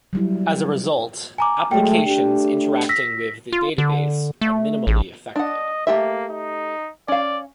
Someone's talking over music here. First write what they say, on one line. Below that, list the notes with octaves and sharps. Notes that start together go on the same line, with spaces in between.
As a result, applications interacting with the database are minimally affected.
F#3 G3 E4
G#5 A#5 D6
F#3 G#3 A3 G5
A3 D4 G4
E6 A#6 B6
F4
D3
A3
A1
D4 D#5 F#5
A3 A#3 G4 E5
D#4
C#4 D5 F5